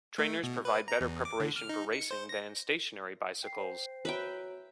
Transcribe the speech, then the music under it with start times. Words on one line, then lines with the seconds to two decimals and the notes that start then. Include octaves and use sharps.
Trainers provide better preparation for racing than stationary bicycles.
0.18 A3
0.43 B2
0.65 B4
0.88 A#5
1.01 E2
1.25 D6
1.40 D3
1.56 F6
1.69 D#4
1.93 C#7
2.11 C5
2.29 A#6
3.43 G5 C7
3.58 C5
4.05 F#4 B4 C#5 E5 G5 A#5